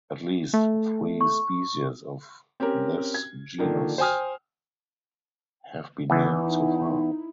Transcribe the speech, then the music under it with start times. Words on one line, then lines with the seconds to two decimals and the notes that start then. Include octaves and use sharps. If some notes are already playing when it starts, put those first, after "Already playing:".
At least three species of this genus have been named so far.
0.53 A3
1.21 C#6
2.60 C4 C#4 G4 A#4
3.14 G#6
3.58 A#2 D3 D#3 F3
3.98 C5 G5 G#5 D#6 F6
6.10 E2 E3 D#4 E4